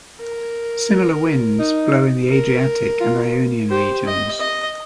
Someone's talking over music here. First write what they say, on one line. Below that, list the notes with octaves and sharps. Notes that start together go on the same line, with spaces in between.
Similar winds blow in the Adriatic and Ionian regions.
A#4
D#4
A#4
F4
G4 C5
D#5
D#5